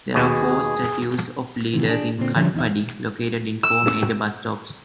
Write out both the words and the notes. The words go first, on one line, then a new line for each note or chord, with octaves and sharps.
There are four statues of leaders in Katpadi, located in four major bus stops.
D#2 B2 G#4
C3 D#3 E3
D4 G#4
A#2 D3 C4
D3 F3 G3 C#4 D4 E5
E2 D#4 E5
E6